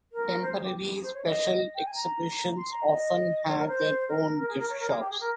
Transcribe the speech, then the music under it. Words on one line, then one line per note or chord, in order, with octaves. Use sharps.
Temporary special exhibitions often have their own gift shops.
A#4
C5
G#4
G4
G#4
C5
C#5
D#5
G5
G#5
A#5
C6
A#5
D#5
C#5
A#4
C5
A#4
A#4
G#4
A#4
C#5
A#4
G#4
G4
G#4
A#4